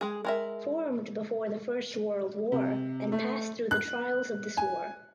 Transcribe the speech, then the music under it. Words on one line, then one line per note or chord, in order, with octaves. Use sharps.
Formed before the First World War and passed through the trials of this war.
G#3 G#4
G#3 A#4 E5
C3
A3
F#6
G#5